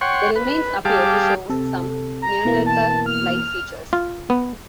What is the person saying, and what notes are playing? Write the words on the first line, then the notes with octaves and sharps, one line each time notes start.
The remains appear to show some Neanderthal-like features.
C#5 F#5 G5 C6 C#6
B4
G3 G4 G#4 F5 A5 D6
C3 A4
A#5
B2 E3 A#3
A5
F6
F4
B3